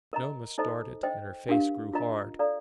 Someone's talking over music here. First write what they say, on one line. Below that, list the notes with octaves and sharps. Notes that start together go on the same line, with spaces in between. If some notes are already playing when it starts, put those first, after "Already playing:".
Noma started, and her face grew hard.
A#4 D#5 A#5
D#4 A4 C5 D#5 A#5
C5 D#5 G5
D4 G4 A#4 F5
F4 A#4 D#5 A#5
A4 D5 F5 A#5